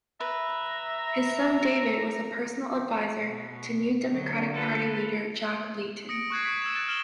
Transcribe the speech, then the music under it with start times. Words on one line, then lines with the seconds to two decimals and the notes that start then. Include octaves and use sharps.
His son David was a personal advisor to New Democratic Party leader, Jack Layton.
0.20 B4 E5 A#5
3.21 B2
4.09 D3 F#3
4.53 A#3 F4 A4 B4
6.09 D#6 A#6 C#7 D7
6.30 C#6 F#6 G#6 C7
6.44 F#6 B6
6.62 E6 G#6 E7
6.75 E6 F#6 A6
6.88 F6 D7 E7 F#7 G7